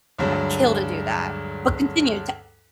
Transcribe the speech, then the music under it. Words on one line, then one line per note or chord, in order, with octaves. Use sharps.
I'd kill to do that. But continue, ta
D2 G2 F#3 G#3